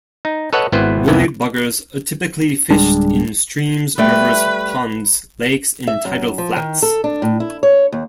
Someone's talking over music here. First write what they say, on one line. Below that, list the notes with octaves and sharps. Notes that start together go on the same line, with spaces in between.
Woolly Buggers are typically fished in streams, rivers, ponds, lakes, and tidal flats.
D#4
A4 B4 C#5 D#5 F#5
G#1 B3 E4 B4 C5
C2 F2 B3 E4
D1 G3 G#3 D4
G3 A3 B4 G5
E5
F#2
F3
D#3
A4
D4
A2
E4
C#5
D#2